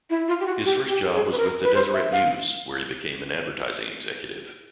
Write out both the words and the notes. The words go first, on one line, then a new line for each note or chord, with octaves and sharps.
His first job was with the "Deseret News", where he became an advertising executive.
E4
F4
G4
F#4
G4
G4
A4
G#4
B4
A#4
B4
C5
E5
F5